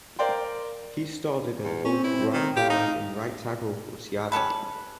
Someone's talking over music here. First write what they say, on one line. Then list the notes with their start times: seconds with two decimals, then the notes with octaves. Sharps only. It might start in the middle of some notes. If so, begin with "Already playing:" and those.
He started at both right guard and right tackle for Seattle.
0.19 A#4 C5 D5 F5 G5 C6
1.64 E2
1.85 C4 C#4
2.04 E4
2.33 D#3
2.56 G4 F5
2.70 D#4
4.32 C#4 G4 A4 B4